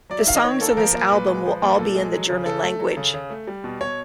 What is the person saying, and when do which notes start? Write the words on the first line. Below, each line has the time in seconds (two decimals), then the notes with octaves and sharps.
The songs on this album will all be in the German language.
0.10 F#3 D5
0.19 E5
0.26 D#3 F5
0.36 D#5
0.44 D#3 C#5
0.61 A#3 A4
0.77 F3 A#4
0.95 A#2
1.12 A#2 B4
1.28 G#3
1.46 F3
1.62 A#2
1.78 A#2 A4
1.95 G#3
2.13 F#3
2.30 C#3
2.46 C#3 A4
2.63 A3
2.80 F#3
2.97 C#3
3.14 C#3
3.30 A3
3.47 G3
3.64 B2
3.80 B2 C#5